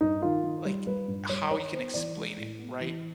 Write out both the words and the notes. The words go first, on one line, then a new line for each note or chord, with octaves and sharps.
like, how you can explain it, right?
G2 D#4
D#3 F4
D#3
G3
G3 B4
G2
G3 C#5
D#3 C#5
B3 C5
E3 D5
G#3
A2
B3
E3